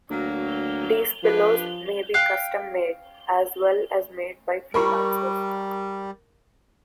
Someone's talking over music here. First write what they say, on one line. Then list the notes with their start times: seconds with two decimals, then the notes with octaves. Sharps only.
These pillows may be custom made, as well as made by freelancers.
0.10 D2 F#3 A#3
1.23 F3 D4 G4 B4
2.14 F5 G5 F#6
4.74 G3 A#4 B5 C#6